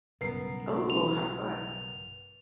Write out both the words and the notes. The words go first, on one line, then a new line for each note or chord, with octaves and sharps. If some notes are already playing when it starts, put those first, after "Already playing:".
Ooh, how fun.
B1 G2 C#3 B3 A#4 C7
F7